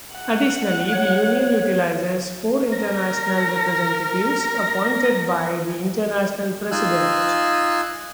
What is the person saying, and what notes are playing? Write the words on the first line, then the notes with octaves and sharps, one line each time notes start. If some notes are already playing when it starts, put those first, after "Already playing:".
Additionally, the union utilizes four International Representatives, appointed by the International President.
F#5
C#5
A#4 A#6
D#4 F4 G#5 E6 F#6